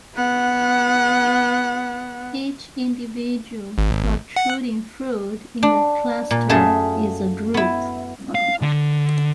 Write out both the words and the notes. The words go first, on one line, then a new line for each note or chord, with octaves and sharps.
Each individual protruding fruit in the cluster is a drupe.
B3 F#5
G#1
F#5
D4
A#2
F#2 A3 F4 G#4 E5 A5
B3 E4
F5
D3